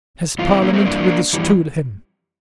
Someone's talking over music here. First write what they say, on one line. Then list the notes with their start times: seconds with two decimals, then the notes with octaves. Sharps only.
His Parliament withstood him.
0.38 G2 E3 F4
0.49 C4 E4
0.62 A#3 D4
0.73 A3 C4
0.85 G2 E3 G3 A#3 D4
1.33 F2 E3 G3